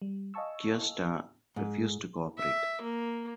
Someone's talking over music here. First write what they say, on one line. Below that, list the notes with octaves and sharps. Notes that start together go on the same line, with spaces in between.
Cuesta refused to co-operate.
G3
D#5 F5 G#5 A5 C#6 E6
G#2
E5
A#3